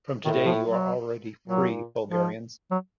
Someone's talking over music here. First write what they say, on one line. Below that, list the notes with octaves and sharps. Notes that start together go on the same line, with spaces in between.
From today you are already free Bulgarians!
A2 D#3
F3
F#3
A#2 F#3
F3
F#3